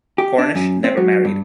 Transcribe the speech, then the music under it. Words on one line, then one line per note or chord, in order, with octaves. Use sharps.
Cornish never married.
G4
D4
F#2
C4
F#3
G2